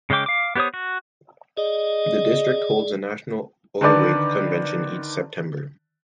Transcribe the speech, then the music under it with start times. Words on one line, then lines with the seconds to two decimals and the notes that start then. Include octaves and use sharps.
The district holds a national oiwake convention each September.
0.10 C#3 G#3 C#4 G5 D6
0.26 F5 D6
0.56 B3 G4 C5 C#5 D#6
0.74 F#4
1.57 G#4 D5 D#5
3.81 D3 D#3 B4 D5